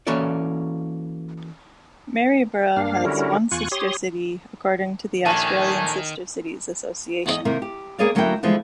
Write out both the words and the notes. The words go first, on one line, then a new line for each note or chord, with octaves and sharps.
Maryborough has one sister city, according to the Australian Sister Cities Association.
E3 A#3 C#4 F#4 A4 D5
G2 A#3 D4 F5
D3 G3 C#4 E4 F#4 A#4
E2 F4 G#5 C#6 F#6
G4 C#5 C6 D#6
A#1 D#3 A3 C#5 G#5 A5 D#7
E2 F#4 D#5
C3 D#3 A#3 A#4
G4
A#3 B3 G#4 C#5 D5 F5
D2 F#3 A#3 C#4 E4 G5
D3 E3 F3 G3 G#3 B3